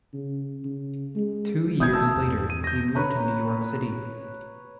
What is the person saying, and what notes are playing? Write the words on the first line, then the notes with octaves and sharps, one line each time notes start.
Two years later he moved to New York City.
C#3
C#3
G#3
F#1 D#6 G6 G#6
A3 A#3 A5 E6
E2
D#7
G6 A#6
B4 C#5 A#5 B5